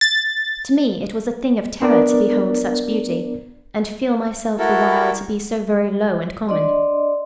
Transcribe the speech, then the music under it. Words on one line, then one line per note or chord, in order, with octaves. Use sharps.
To me it was a thing of terror to behold such beauty, and feel myself the while to be so very low and common.
A6
B3 D4 A#4 D5
E4 F#4 A4 A#4
D4 D5 D#5 C6